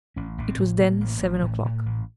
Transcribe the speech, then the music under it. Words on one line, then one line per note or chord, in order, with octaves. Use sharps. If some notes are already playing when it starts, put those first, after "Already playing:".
It was then seven o'clock.
A1 C#4
A1
C4
A2
A2 A#3
A1
A1
A2
A2
A1